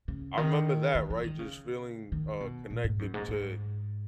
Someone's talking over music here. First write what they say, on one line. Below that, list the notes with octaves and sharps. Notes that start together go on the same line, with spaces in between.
I remember that, right? Just feeling, uh, connected to
C#3
D#3
D#3
E3
D#3
C#3
D#3
B2
A#2
G#2
F#2
G#2
G#2